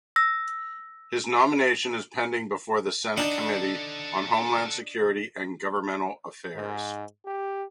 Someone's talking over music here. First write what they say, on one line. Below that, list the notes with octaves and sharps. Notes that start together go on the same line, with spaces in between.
His nomination is pending before the Senate Committee on Homeland Security and Governmental Affairs.
E6 A#6
D4 D#4 A4 F#5
G#2
G4